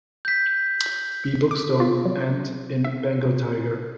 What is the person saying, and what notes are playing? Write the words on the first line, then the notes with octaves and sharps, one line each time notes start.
B. Buckstone, and in "Bengal Tiger".
G6 B6
D6
F4
F#3
E5
C3